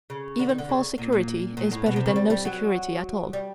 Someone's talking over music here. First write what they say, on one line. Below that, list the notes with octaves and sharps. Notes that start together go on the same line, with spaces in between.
Even false security is better than no security at all.
C#3
D3
D#3
D3
C#3
A#2
A#2
A#2
A2
B2
C3
C#3
G3
G3
F#3
G3